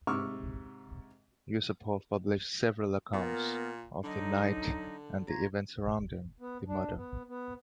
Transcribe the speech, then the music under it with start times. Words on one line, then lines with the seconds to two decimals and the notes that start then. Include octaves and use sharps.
Yusupov published several accounts of the night and the events surrounding the murder.
0.07 G#2 C3 C#6 D6 E6 F6
3.13 A#2 B3 A#4
4.04 D3 F#3 D#4
5.29 F4 C#5 A#5
6.40 B3
6.68 D4
6.97 B3
7.29 B3